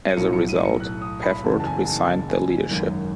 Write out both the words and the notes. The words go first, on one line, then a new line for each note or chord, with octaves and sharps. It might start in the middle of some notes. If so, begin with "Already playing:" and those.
As a result, Pafford resigned the leadership.
D#7
B1 A2 F#3 C#7
C#7
D#7
C#7
F#6
D#6
B5
F#1 E2 C#3 F#3 A5
A5
G#5
A5
A5
G#5
G#5
G#1 F#2 D#3